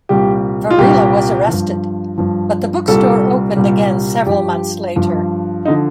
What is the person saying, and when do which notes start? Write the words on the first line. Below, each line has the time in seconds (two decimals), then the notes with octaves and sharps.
Varela was arrested, but the bookstore opened again several months later.
0.09 C2 A#2 G3 G4
0.71 F4
0.79 C2 A#2 G3 G4
1.48 G2 F3
2.18 G2 F3
2.88 C2 A#2 G3 A4
3.56 C2 A#2 G3
4.26 G2 F3 G4
4.96 G2 F3
5.65 D3 F3 D#4